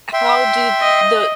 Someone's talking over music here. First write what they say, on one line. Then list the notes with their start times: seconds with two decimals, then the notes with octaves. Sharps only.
how do the
0.13 E5 G5 C6
0.81 D#5